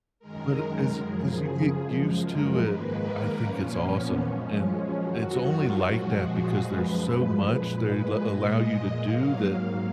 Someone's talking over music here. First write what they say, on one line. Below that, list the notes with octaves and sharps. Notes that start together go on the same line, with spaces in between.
But as as you get used to it, I think it's awesome, and it's only like that because there's so much they la allow you to do that
F#2 D#3 G#3 A#4
F#2 C#3 F3 G#4
F#2 F3 G#3
A#4
G#2 D#3 A#3 B4
A#4
A#2 F3 A#3 C#4
B3
F#2 F3 G#3 C#4
F#2 D#3 F#3 F#4
F4
A#2 F3 G#3 F#4
G#4
F#2 F3 G#3 B4
A#2 G#3
A#2 G#3 D#5
G#2 F#3 A#3 F5